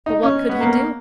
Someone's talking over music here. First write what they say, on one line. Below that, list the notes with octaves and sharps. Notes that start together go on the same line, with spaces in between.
But what could he do?
D#4
C#4
B3
A#3